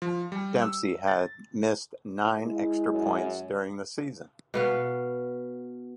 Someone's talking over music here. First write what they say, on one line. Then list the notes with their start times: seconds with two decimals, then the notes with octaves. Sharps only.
Dempsey had missed nine extra points during the season.
0.02 F3
0.32 G3
0.62 E6
1.08 A6
2.44 G#3 E4
2.91 F#2
4.54 B2 B3 F5